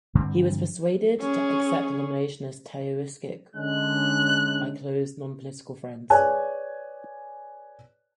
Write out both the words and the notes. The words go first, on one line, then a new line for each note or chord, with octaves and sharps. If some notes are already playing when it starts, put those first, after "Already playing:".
He was persuaded to accept the nomination as Taoiseach by close non-political friends.
G2 D3 G3 C4
C#4 G#4
D3 G#3 C#4 F#6
G#4 B4 C#5 D5 G#5 F#6